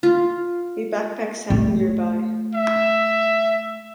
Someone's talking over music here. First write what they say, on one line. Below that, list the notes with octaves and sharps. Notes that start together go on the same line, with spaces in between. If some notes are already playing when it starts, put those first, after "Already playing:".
A backpack sat nearby.
F4
A3
E5